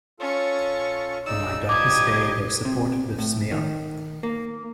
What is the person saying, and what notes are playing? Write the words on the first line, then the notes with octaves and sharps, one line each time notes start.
On my darkest day their support lifts me up.
C#4 F4 A4 C#6
C#3 D#4 D5 E6
F3 G3 D#4 G4 D6 D#6 G#6
C3
A2
D#3
A#3